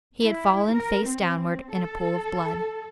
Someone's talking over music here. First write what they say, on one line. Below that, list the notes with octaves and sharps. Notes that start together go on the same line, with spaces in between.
He had fallen face downward in a pool of blood.
E4
A#4
C4
A4